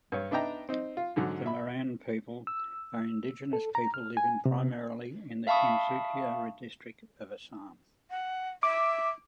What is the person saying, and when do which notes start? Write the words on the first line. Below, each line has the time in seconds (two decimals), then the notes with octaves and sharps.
The Moran people are indigenous people living primarily in the Tinsukia district of Assam.
0.12 G2 C#5
0.31 B3 D4 D#4 E5 G5 A#5
0.69 C4 D#4
0.97 F4
1.16 G#2 D3 F#3
1.46 E5 B5
2.47 E6
3.53 A4
3.75 A#5
3.94 F6
4.17 G#5
4.45 C3
5.47 E5 F5 A5 B5 C#6 D#6
8.10 F#5
8.63 E5 D6